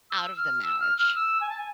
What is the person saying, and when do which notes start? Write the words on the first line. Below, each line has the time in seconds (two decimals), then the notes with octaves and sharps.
out of the marriage?
0.10 E6
0.36 F6
0.62 E6
0.80 F6
0.97 F6
1.15 E6
1.40 G#5
1.49 A5
1.58 G#5